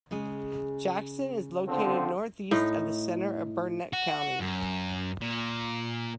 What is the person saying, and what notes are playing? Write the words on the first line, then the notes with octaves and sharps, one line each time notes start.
Jackson is located northeast of the center of Burnett County.
C#3 G#3 G#4
D3 F3 C4
A2 D#4
F#4
F#2
A#2